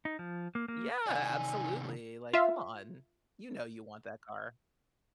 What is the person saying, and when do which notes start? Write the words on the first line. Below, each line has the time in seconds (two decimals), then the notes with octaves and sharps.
Yeah. Absolutely. Like, come on. You know you want that car.
0.05 D#4
0.19 F3
0.55 A#3
0.68 A#3
1.07 C3 D#3 D5 G#5
2.33 F4 E5